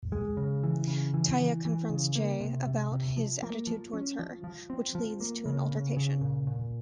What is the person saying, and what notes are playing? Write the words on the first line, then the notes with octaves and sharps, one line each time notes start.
Tia confronts Jai about his attitude towards her, which leads to an altercation.
G#3
C#3
E3
C#3
E3
E3
E3
C#3
A#3
C3
C3
C3
F3
A#3
F3
C#4
F3
F3
C4
F3
A#3
C#3
C#3
C#3
A#2
A#2